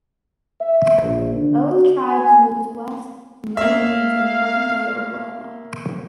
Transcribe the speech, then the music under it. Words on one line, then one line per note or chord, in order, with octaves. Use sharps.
Both tribes moved west to new lands in present-day Oklahoma.
E5
A#1
D3
F#4
G#5
A#3 E5 F5